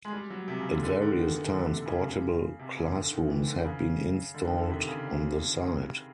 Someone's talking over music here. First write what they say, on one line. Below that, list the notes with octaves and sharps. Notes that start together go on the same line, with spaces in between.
At various times portable classrooms had been installed on the site.
G#3
G3
F#3
C3
C#3
D3
D3
D#3
D3
D#3
E3
D#3
D3
C3
D3
C#3
C3
C#3
C3
C#3
D3
D#3
E3
D3
C#3
D3
D#3
D3
C3
C#3